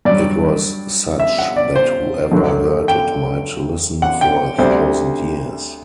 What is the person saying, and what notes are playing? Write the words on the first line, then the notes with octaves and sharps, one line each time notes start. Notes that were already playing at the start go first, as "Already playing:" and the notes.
It was such that whoever heard it might listen for a thousand years.
G2 F#3 D5
E5
F#5
D5
C5
F#2 D3 F#3
G5
F#5
G5
D2 C3 G3 C5